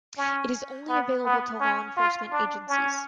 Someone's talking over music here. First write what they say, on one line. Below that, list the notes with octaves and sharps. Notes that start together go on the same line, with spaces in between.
It is only available to law enforcement agencies.
C#4
B3
B3
C#4
F4
D4
C#4